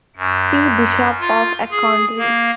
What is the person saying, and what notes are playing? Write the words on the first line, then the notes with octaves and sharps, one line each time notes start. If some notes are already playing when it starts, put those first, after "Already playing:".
See Bishop of Achonry.
F#2
F4
G#4
A#3